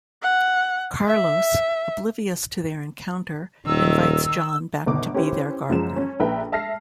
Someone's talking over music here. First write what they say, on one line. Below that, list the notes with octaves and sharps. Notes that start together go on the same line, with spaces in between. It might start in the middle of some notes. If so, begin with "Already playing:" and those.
Carlos, oblivious to their encounter, invites John back to be their gardener.
F#5
E5
D#1 D#3 E6
G1 B2 D#3 D6
C#4 E4 G4 B4 C5
F#2 F3 G#3 E7
C#4
A#1 A4 B4 E5 G5 A#5
E5 A5 F6 A#6 C7